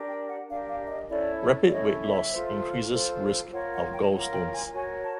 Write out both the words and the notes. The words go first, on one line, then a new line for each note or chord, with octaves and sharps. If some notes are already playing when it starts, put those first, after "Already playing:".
Rapid weight loss increases risk of gallstones.
Already playing: D4 G4 A#4
G5
F#5
D4 G4 A#4 F5
F5
E5
D#5
C#4 E4 A4 C#5 D5
D5
C#4 E4 A4 C#5 D#5
E5
F4 A4 C5
F4 A4 C5
F4 A#4 C#5 F#5
F#5
G5
F4 A#4 C#5 F#5
G5
G#5
F#4 A#4 C#5 G#5
A5